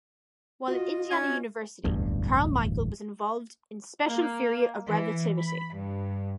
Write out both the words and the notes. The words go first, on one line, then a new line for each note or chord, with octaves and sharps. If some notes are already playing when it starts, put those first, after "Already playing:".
While at Indiana University Carmichael was involved with special theory of relativity.
F4 F#4 D#5
C#4 G#6
D1 A1 E2 G2
A#3
E3
B5
G2